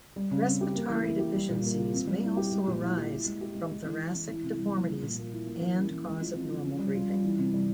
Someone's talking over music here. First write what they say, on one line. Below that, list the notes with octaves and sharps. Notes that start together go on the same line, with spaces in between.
Respiratory deficiencies may also arise from thoracic deformities and cause abnormal breathing.
G3
C#3
C4
G4
A#3
E3
E4
G4
G3
A#2
A#3
F4
C4
G3
E4
G4
G#3
A#2
E4
G4
E4
G#3
G4
G#3
G#3
E3
E4
E3
E3
C3
G3
A#3
F3
A#2
A#3
E4
A#3
E3
C#4
E3
G#3
F3
C4
F3
C#4
G3
F4
G3
E3
C3
G3